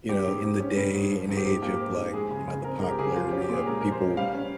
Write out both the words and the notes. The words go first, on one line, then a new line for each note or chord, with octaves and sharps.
you know, in the day and age of, like, you know, the popularity of people
G3 G4
G#2
G#2
C#4
G3
G#2
F3
G#2
G4
G#2
A#3 G4
F3
G#2
G#3 G#4
C#3
C#3
C4 A#4
G#3 A#4
G4
C#3 G#4
F3 F4
G4
C#4
G4
A#2 G#4
G#3 A#4
F3 A#4
C5
C#4
G3 F5
C#4